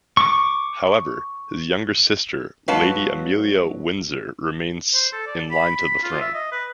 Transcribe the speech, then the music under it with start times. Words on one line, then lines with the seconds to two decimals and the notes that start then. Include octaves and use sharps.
However, his younger sister Lady Amelia Windsor remains in line to the throne.
0.17 C#6 D6
2.68 F#3 G#3 B4 C#5 F5 A5
4.94 C5
5.13 A4
5.27 D5
5.51 B5
5.75 B5
6.03 F4
6.21 E5
6.34 D#5
6.52 B4